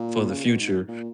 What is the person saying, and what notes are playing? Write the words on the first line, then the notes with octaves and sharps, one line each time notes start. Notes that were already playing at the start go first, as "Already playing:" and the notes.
for the future
Already playing: A#2
C#3
B2
G#2
A#2